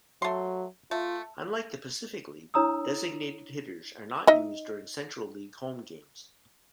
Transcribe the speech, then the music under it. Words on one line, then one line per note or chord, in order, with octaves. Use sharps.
Unlike the Pacific League, designated hitters are not used during Central League home games.
F#3 A3 C6
A3 F4
D4 E4 C#5 A#5 D#6 E6
D#4 D#5 E5